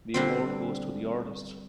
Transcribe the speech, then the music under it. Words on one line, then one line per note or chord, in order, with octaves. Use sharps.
The award goes to the artist.
D3 G3 C4